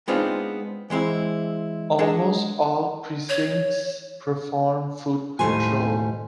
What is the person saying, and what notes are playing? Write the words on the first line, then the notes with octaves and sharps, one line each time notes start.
Almost all precincts perform foot patrol.
G#3 B3 C4 D4 D#4 F4
E3 G#3 C4 E4
G#3 D4 G#4 A4
C#5
D#2 A2 G3 A3 C5 G#5